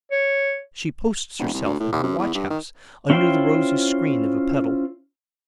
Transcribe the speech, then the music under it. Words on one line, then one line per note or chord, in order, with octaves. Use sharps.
She posts herself in her watch-house, under the rosy screen of a petal.
C#5
E1
C2
D2
A2
D#2
F#2
E2
G2
D#3
C#4 E4 F4 C5 G5